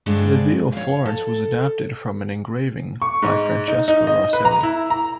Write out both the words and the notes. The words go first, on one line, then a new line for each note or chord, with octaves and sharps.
The view of Florence was adapted from an engraving by Francesco Rosselli.
G2 D3 G#3 C4 D4
C#5 F5
A4
C#6
G#2
D#4
D#4
D#5
B4
A#5
E4
A#5